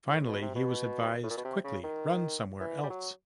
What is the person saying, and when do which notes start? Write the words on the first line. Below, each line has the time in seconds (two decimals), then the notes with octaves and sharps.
Finally, he was advised Quickly, run somewhere else.
0.09 A2
0.28 B2
0.42 C3
0.55 B2
1.23 A2
1.30 A#2
1.38 B2
1.45 C3
1.64 C#3
1.84 D#3
2.60 E3
2.83 G3
2.90 F#3